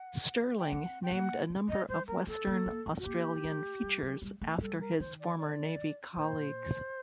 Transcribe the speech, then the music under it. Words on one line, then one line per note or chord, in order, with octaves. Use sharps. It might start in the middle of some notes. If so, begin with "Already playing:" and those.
Stirling named a number of Western Australian features after his former navy colleagues.
Already playing: F#5
G5
C4 F#5
G5
A#3 F#5
G3
F#3 D#5
G3 C5
A#3 A#4
C4 A4
A#3
A#3
C4
F#4
A#3 G4
A3
G3
F#3
G3
A3
G3 A4
A#4
D#3 C5
D5
D5
A#2 C5